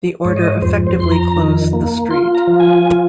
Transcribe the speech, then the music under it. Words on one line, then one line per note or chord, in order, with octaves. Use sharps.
The order effectively closed the street.
G#2 C#5
D#5
C#5
F2 C5
C5
F2 C6
A#5
D#3
A#3
F4 C6
A#5
F3
G#5
F4